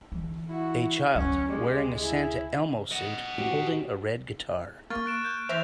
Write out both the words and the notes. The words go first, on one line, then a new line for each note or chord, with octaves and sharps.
A child wearing a santa elmo suit holding a red guitar.
E3
E4 F#4
D2 F#3 C#4
G#3 G4
E4 G#4
D#5 F#5
F#4 G4
A#3 C#6 F6 A6
F#6 D7 E7
G6
E3 C5 E5 A#6 F7